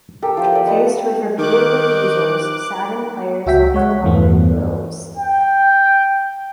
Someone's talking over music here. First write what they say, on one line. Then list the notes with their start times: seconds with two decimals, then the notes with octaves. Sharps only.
Faced with repeated refusals, saddened players left the club in droves.
0.22 G4 A4 A#4
0.37 F3 E5 G5
0.52 A4 D5
0.66 B4 D#5 F#5 A5
1.39 D#3 D6 F#6
3.46 C#2 F#4 E5 G5 B6
3.74 G#3 C#5 F#5
4.03 E2 G2 E3 A3 B3
5.16 G5